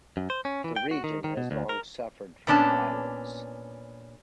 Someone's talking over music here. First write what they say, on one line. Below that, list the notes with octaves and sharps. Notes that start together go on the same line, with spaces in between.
The region has long suffered from violence.
F#2
C5
C#4
E3
G5
F#4
D#3
D#3
B2
D2
A#4
A#2 B3 C#4 D4 G#5 A5